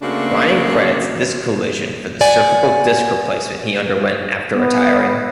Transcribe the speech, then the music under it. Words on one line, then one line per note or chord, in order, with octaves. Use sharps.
Ryan credits this collision for the cervical disc replacement he underwent after retiring.
C#3 A3 A#3 C4 D4 F#4
D5 F#5 G#5
B3